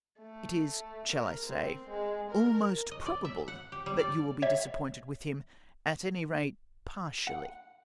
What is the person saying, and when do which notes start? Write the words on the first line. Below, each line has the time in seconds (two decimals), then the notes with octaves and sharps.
It is--shall I say?--almost probable that you will be disappointed with him, at any rate partially.
0.20 A3
1.12 A#4
1.46 C4
1.89 G#3
2.31 A#4
2.91 D#5
3.06 D5
3.25 E5
3.48 F#5
3.72 G4
3.86 G3
3.99 D5
4.42 C#5 E5
7.27 F#5